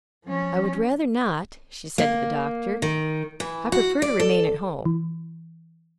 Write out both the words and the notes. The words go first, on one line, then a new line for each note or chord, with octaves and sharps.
'I would rather not,' she said to the Doctor. 'I prefer to remain at home.
F3 C#4
A#3
D#3
E3
F#4
D5
A4
E3